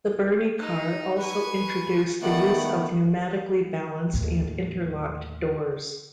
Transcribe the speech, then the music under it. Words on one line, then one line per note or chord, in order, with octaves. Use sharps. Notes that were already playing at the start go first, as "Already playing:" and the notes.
The Birney Car also introduced the use of pneumatically balanced and interlocked doors.
D#4
B4 G#5 C#6
D#3 A3 B3 D5 F#5
D#2 A2